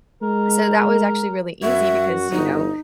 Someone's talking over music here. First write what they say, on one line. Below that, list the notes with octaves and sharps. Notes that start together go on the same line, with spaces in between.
so that was actually really easy because, you know,
G#3 A#4
F#2 F#4 E5
G1 D#4